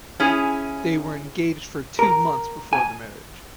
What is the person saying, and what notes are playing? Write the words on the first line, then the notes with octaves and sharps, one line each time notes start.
They were engaged for two months before the marriage.
C#4 E4 G#4
A#4
G#5